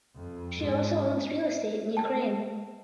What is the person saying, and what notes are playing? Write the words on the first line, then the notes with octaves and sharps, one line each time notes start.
She also owns real estate in Ukraine.
F2
G#2
G5 A5